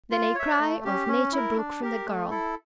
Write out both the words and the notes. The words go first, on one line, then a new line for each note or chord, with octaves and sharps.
Then a cry of nature broke from the girl.
F4
C#5 E5
A3
C#4 G4
C#4
E4 A#4
D4
G4 A#4
A3
E4 A4